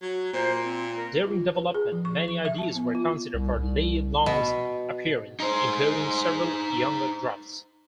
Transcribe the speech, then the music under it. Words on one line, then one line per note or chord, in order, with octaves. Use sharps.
During development, many ideas were considered for Li Long's appearance, including several younger drafts.
F#3
A#2 C5
C4
A#4
F4
B4
G#4
F3
C#6
C#6
E5
A5
B3
F4
C2
C2
B2
D#4 C5